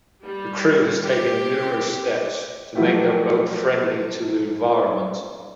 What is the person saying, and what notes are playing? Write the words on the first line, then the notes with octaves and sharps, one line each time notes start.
The crew has taken numerous steps to make their boat friendly to the environment.
G3
G4
F3 F#3 A3 E4 F#4 G4